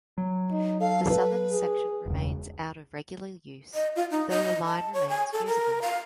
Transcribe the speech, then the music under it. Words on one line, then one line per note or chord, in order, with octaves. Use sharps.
The southern section remains out of regular use, though the line remains usable.
F#3
D#4
A4 F5
B4
G#4
E1 C#2
D#5
F4
D#4
D#5
A5
C#5
G#5
A4
A#4
F5